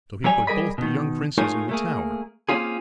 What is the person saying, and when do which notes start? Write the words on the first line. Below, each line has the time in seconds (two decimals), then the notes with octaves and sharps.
So he put both the young princes in the Tower.
0.24 F#3 G3 C#5 G#5
0.47 G3 G#4 A#4 D#5 B5
0.78 B2 D#3
1.38 A3 D#4 F4 G#4 A#4 C#5
1.69 A3 A#3 G#4
2.49 A#3 C4 C#4 F4 G#4